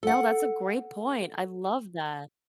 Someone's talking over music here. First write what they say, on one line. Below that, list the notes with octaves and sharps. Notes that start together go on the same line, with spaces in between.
No, that's a great point, I love that.
A4 F#5